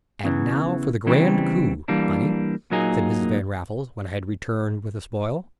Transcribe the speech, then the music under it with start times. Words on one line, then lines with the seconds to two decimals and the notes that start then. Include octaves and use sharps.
"And now for the grand coup, Bunny," said Mrs. Van Raffles, when I had returned with the spoil.
0.24 E2 C#3 E3
1.06 E2 C#3 E3 G3 C4
1.88 E3 G3 A#3 D4
2.71 A#2 F#3 A#3 D#4 G#4